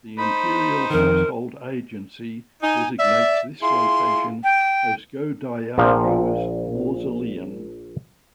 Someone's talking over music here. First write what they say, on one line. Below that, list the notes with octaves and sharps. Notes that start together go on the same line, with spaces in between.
The Imperial Household Agency designates this location as Go-Daigo's mausoleum.
D#4 C5 B5
F2 D#3 A#4
D#4 G#5
D5 E5
E4 F4 G#4 C6
G5
A#1 A#2 F3